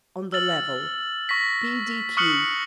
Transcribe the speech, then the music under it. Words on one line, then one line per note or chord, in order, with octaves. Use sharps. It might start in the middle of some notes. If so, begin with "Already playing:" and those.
On the level. P.d.q.
E6 F6 A6 F#7
C#6 A#6 B6
C#6 D#6 F6 F#6 C#7 F#7